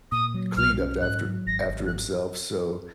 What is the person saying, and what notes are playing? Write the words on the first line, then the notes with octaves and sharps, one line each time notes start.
cleaned up after after himself, so,
A#2 D#6
F#3
B1 F6
C#4
G#2 F#6
F#3
G#1 A#6
G#1
F#6